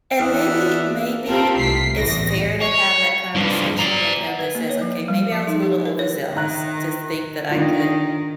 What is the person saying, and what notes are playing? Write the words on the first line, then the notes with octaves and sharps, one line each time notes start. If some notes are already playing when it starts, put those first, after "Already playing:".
And maybe maybe it's fair to have that conversation with him that says, "Okay, maybe I was a little overzealous to think that I could
E2 D4 D#5 E5 F#5 F6
C4 F4 G4 A4 A#4
C2 A3 B6 C7
A1 E2 A#6
C#5
G2 F3
D5 A#5
F#5
B4
A#3
C#5
F3
G3
F3
D#4
G4
A#4
C#5
D#3 E5 A#5 F#6
D#3 D4 F4